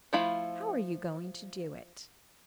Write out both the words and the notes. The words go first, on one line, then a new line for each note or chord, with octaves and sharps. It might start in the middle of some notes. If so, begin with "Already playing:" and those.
"How are you going to do it?"
F3 A3 E4 F5 B5